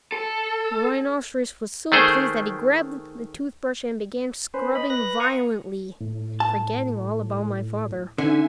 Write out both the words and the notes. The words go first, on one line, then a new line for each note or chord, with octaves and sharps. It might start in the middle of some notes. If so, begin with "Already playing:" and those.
The rhinoceros was so pleased that he grabbed the toothbrush and began scrubbing violently, forgetting all about my father.
A4
D#3 A3 G#4 C5
C#4 B4 C5
D#5 B5
B4 F#6 A#6
F5 A#5 C#6 D#6
A2
A5
D3 C#4 D#4 E5 G#5